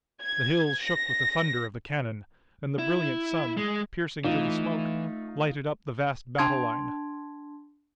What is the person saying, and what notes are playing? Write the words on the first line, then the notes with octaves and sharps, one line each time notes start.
The hills shook with the thunder of the cannon, and the brilliant sun, piercing through the smoke, lighted up the vast battle line.
G#6
A#6
E4
G#3
E3 A3 D#4 F4
D4 A5 C6 G#6